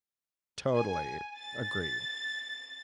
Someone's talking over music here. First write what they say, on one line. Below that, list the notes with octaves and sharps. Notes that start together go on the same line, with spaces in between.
Totally agree.
G#5
A6